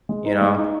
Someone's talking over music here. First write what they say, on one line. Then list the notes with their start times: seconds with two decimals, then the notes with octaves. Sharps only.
you know?
0.09 G#3
0.25 D#4
0.42 G#3
0.58 D#4